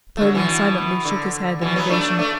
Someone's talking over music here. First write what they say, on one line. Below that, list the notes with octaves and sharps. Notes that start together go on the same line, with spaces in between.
Napoleon silently shook his head in negation.
A3
D3 F#3
B2 E3
D3
B2 E3
F#3 B3
A3 D4
A3 D4